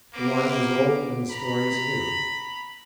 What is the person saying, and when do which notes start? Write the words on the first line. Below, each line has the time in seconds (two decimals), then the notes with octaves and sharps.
The wine was old and the stories new.
0.14 A#3 B3 D6
1.30 A#5 B5